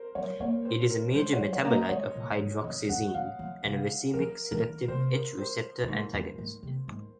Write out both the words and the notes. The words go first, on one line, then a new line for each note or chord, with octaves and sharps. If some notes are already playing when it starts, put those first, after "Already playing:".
It is a major metabolite of hydroxyzine, and a racemic selective H receptor antagonist.
Already playing: A#4 C5
F#3 C#5
A#3 C#5
C5
A#4
G#3 C5
C#5
F#3
G#3 C#5
A#3
D#5
G#3 C#5
A#2
G#2
F#2 D#5
F2 F#5
F#2 F5
F3
C#3
F3 A#4
D#3 A#4
C3 C5
A#4
C5
A#2
G#2
F2
G#2
C3
G#2